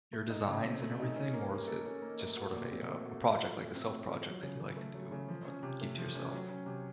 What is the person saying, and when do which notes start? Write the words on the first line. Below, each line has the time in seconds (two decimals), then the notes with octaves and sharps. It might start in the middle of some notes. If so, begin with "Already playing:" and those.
your designs and everything? Or is it just sort of a, uh a project like, a self project that you like to do or keep to yourself?
0.13 A3
0.30 D#4
0.47 C#3
0.65 C4
0.82 A3
0.99 D#4
1.16 C#4
1.34 A#3
1.50 A#3
1.67 A4
1.85 C#4
2.02 A#3
2.19 A3
2.37 F#4
2.53 A#2
2.71 C4
2.89 A3
3.05 F#4
3.23 A3
3.40 F4
3.57 A2
3.75 C4
3.92 A3
4.09 F4
4.26 F#3
4.43 C#3
4.60 C#3
4.77 A3
4.94 F#3
5.12 C#3
5.28 F3
5.46 C#4
5.63 C3
5.81 A3
5.98 F3
6.15 C#4
6.32 F#3
6.49 C#4
6.66 C3